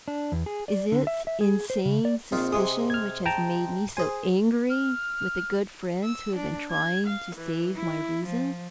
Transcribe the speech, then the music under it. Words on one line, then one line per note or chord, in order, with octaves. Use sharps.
Is it insane suspicion which has made me so angry with the good friends who have been trying to save my reason?
D4
E2
G#4
D5
D3
E5
E5
G#4
C5
C#3
D5
A#1 C4 D#4 F4
C3 G#3 G#4 D#6
F6 G#6
G5 A5 A#5
G#4 C5 G#5
F6
E6
D4
G#6
F5
E3
E4
F3